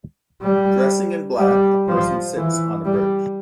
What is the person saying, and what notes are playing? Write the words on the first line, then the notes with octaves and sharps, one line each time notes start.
Dressing in black, a person sits on a bridge.
G3
G3
F3
E3
G3